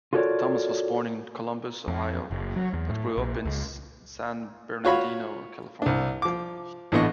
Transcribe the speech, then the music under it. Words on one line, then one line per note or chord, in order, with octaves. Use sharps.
Thomas was born in Columbus, Ohio, but grew up in San Bernardino, California.
F4 F#4 A4 A#4 C#5 D5
F2
F#1
F#3
E2
A2
A#1
C#2
F4 F#4 C#5 F5 B5
C2 D4
F3 D6
A1 A2 D3 B3 D#5 C#6